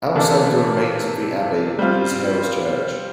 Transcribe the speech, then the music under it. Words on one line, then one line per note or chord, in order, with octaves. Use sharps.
Outside the remains of the Abbey is Hailes Church.
C3 E3 A#3 D4 A4
G3 C4 F4